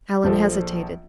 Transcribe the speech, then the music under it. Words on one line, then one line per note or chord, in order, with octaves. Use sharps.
Allan hesitated.
A#1 F3 A4